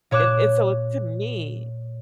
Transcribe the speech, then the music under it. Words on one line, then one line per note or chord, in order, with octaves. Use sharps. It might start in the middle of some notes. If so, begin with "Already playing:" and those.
and and, so, to me
A#2 C#5 D6 F#6 E7